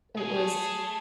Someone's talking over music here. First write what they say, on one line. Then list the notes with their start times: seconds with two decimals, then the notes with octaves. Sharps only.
it was
0.16 B2 G#4
0.36 A3